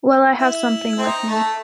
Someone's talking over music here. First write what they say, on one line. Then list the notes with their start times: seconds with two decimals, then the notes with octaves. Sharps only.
Well I have something with me.
0.38 E4
0.98 C4
1.05 D#4
1.28 A3